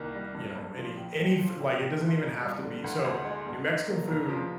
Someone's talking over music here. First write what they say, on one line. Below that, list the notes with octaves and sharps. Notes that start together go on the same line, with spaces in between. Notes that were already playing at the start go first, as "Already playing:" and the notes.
you know, any any f like, it doesn't even have to be so, New Mexican food
Already playing: C2 D#3 A#3
G3
G2
G2
F3
A#1
A#1
F3
A#1
A#1
F3
F1
G3
D3
D2
D2
G#3
G2
D#4
A#3
F1
F3